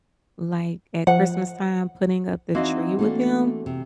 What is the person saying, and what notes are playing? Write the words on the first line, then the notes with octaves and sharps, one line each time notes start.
like, at Christmas time, putting up the tree with him,
F3 F#5
E3 C4 D#4 F#4 D#5 F5
A3 A#3 D4
C3